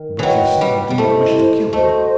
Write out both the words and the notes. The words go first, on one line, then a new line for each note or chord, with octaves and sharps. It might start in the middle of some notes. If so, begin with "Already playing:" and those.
"But you say you do not wish to kill me?"
Already playing: D#3
E3 F#3 B4 D#5 G5
G3
G3
A3 E4 G4 C5 D#5
A3 F#4 C5 D#5